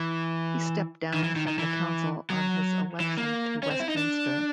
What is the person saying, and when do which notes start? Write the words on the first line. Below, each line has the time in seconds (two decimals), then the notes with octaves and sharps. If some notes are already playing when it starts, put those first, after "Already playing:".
He stepped down from the council on his election to Westminster.
Already playing: E3
1.14 D#3
1.23 E3
1.36 D#3
1.47 D#3
1.58 E3
2.30 F#3
3.00 E3
3.18 A#3
3.63 C#4
3.71 C4
3.80 E4
3.88 D#4
3.97 D4